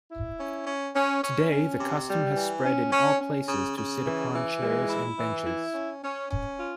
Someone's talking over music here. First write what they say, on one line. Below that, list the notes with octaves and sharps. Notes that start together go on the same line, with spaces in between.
Today, the custom has spread in all places to sit upon chairs and benches.
E4
C#4
C#4
C#4
C#4
C#4
C3
G3
E3
C#4
C#4
C#4
C#3
C#3
E3
E3
G#3
E4
E3
E4
C#4
C#4
C#4
F4